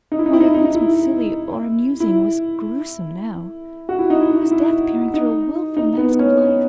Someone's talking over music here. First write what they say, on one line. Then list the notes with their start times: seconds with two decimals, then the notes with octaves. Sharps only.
What had once been silly or amusing was gruesome, now; it was death peering through a wilful mask of life.
0.12 D#4
0.19 E4
0.26 D#4
0.33 E4
0.40 D#4
0.48 E4
0.55 D#4
0.65 D#4
0.75 E4
2.00 E4
3.89 F#4
3.99 E4
4.10 D#4
4.21 E4
4.51 E4
5.14 D#4
5.77 D#4
5.98 B3
6.19 C#4